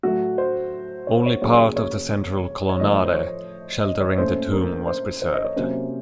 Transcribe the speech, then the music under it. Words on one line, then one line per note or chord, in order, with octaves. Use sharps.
Only part of the central colonnade, sheltering the Tomb, was preserved.
A2 F#3 A3 F#4
C5
C#5
C5
C#5
C#3 F#3 A#3 C#5
C#5
C#5
A2 F3 A3 D#5
C5
C#5
D#5
C#5
A#2 A3 C#4 C5
A#4
C5
C5
D#5
C#5
C3 F#3 A#3 C#4 C5